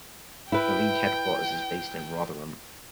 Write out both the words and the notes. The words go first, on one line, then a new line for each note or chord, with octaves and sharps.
The League headquarters is based in Rotherham.
E4 B4 G5